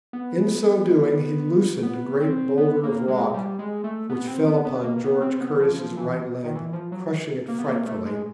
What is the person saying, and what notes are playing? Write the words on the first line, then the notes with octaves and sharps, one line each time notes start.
In so doing he loosened a great boulder of rock, which fell upon George Curtis's right leg, crushing it frightfully.
B3
B3
C4
B3
A#3
G#3
G3
G#3
A3
B3
C4
B3
B3
A#3
B3
C4
B3
F3
F3
E3
D#3
E3
F3
F#3
A#3
B3
A#3
A3
G#3